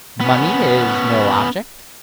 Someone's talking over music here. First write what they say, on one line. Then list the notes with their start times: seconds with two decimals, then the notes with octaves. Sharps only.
"Money is no object?"
0.21 B3 C#4